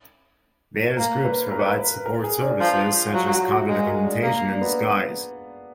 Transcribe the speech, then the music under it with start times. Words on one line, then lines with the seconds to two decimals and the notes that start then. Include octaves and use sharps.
Various groups provide support services, such as cover documentation and disguise.
0.97 A#3 A#4
1.24 B4
1.52 A#4
1.59 B4
1.66 A#4
2.06 A#4
2.24 G#4
2.42 D4
2.60 F3
3.14 F#3 F4
3.32 F#4
3.51 F#4
3.68 G#3 G#4
3.86 A#4
4.04 D4
4.22 A#3
4.52 D4
4.61 B3